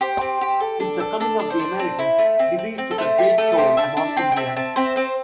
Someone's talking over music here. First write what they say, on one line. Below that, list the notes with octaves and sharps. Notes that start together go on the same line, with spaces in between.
With the coming of the Americans, disease took a great toll among Indians.
G4 C5
C4
G4
A4
D4
A4
D4 A4
D4
C5
D4
C4
E4
A3
C4
C4
C4
A4
A3 C5
G4
A3 A4
A4
G4 C5
D4 E5 A5
D4 E5 A5
C4 G5 C6
G5
C4 E5 A5
C4 E5 A5
C4 C5 E5
C4 C5